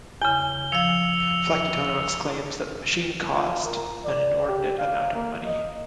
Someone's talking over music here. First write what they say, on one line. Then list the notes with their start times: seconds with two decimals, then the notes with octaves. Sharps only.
Flacutono exclaims that the machine "cost an inordinate amount of money".
0.22 E2 C#3 G7
0.72 F3 F5 E6 C#7 F7
3.34 F4
3.65 A#4
4.05 D5
4.47 G4
4.78 F5
5.14 A#3
5.46 D#5